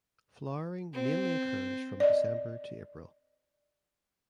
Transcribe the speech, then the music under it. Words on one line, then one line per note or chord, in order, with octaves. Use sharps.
Flowering mainly occurs from December to April.
C4
D5 D#5